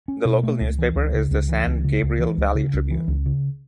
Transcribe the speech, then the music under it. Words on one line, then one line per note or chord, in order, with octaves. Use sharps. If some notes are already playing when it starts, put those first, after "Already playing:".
The local newspaper is the "San Gabriel Valley Tribune".
C#4
B2
A3
C#2
E3
C#2
C#3
C#2
E3
C#2
C#3
C#2
E3
C#2
C#3
C#2
E3
C#2
C#3